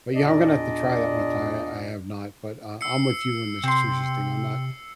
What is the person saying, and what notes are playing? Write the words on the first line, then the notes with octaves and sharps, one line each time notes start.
But, yeah, I'm gonna have to try that one time, I I have not, but, uh, I'm with you in this sushi thing, I'm not
E2 A#2 D4 D5 D#5
E6 C7 C#7
C3 C4 C6